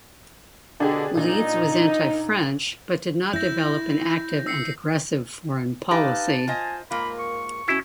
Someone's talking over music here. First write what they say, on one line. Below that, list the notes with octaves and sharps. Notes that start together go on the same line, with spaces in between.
Leeds was anti-French but did not develop an active and aggressive foreign policy.
B2 D3 D4 G4 G#4
A#2 D4 D#4
E4 G6 A#6
E6 C7 C#7
D#4 G4 B4 F5 A5
F4 C5 D#5 G#5
G#2 A#3 F4 A#4 B5
C#6
B2 C#4 E4 F#4